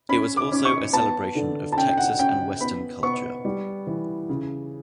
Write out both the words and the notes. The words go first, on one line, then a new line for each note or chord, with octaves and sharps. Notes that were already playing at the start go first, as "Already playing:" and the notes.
It was also a celebration of Texas and Western culture.
C#4 B5
D6
C#4
C#6
B3 A5
D3
A5
C#4 G5
G5
F#5
C#4 G5
B3 B5
B3 C#6
G3
E3
C#3